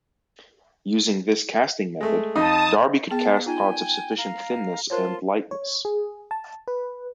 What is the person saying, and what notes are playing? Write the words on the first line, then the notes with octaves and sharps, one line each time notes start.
Using this casting method Darby could cast pots of sufficient thinness and lightness.
G#3 A3
F2 D#4 D#5 A5 D#6
B3 G#4 G5 A5
D#4 F4 G5 G#5
F5 A#5
F4 A#4 C5 C#5 A5 C6
C#5
G#4
A5
B4